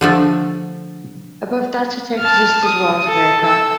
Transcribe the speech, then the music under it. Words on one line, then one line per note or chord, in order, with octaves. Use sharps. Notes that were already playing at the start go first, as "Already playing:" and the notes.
Above that, it exists as water vapor.
D3 F3 A3
A5 F6
D#6
A4
A4 E6